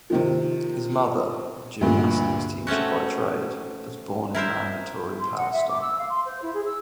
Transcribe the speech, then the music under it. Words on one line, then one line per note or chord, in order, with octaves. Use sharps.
His mother, a gymnastics teacher by trade, was born in Mandatory Palestine.
C3 D#3 F3
D2 G2 A#2 D3
A3 C4 C#4 F#4
E4 A#4 C5 E5
C6
F#5
E5
D6
E6
F5
C6
C5
E4
G#4
E6